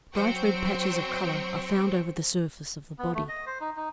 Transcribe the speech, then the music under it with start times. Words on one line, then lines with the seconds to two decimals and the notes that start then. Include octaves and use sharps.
Bright red patches of colour are found over the surface of the body.
0.15 F#3 C4 C5 G5 C#6
2.99 B3
3.15 A3
3.29 D#5
3.46 C5
3.61 D#4
3.77 D#4